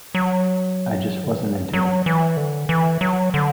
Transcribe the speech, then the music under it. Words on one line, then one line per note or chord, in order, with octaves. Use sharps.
I just wasn't into it...
F#3
D3
E3
F#3
F#3
E3
D3
E3
F#3
D3